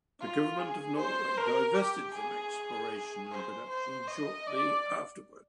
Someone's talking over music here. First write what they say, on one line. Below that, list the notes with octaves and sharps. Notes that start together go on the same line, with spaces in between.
The government of Norway divested from exploration and production shortly afterward.
F4
G#4
C5
A#4
G4
G#4
C5
C5
D#5
D5